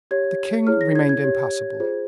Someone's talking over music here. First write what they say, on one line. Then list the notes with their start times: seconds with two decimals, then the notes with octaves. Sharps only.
The king remained impassible.
0.11 G4 C#5 G#6
0.67 E4 G#4 C#5 F6
0.81 A#6
0.95 G#6
1.09 G#6
1.24 G4 C#5
1.80 F4 G#4 C5